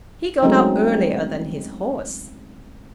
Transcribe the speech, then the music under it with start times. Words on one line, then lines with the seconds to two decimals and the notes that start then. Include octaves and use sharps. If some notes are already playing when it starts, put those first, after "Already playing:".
He got up earlier than his horse.
0.43 F#3 G#3 A3 C4 C#4 D#4